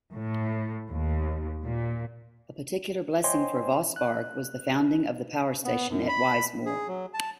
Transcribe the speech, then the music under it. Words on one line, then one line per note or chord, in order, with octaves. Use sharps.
A particular blessing for Vossbarg was the founding of the power-station at Wiesmoor.
A2
D#2
A#2
C5 C#5 D#5 G5 G#5 C6
F#6
B3
F#2
B5
G#4
F#3
A5